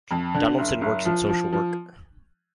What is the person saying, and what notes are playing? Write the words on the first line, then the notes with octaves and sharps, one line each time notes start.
Donaldson works in social work.
F2
D3
F#1
F#1
F3
F3
F3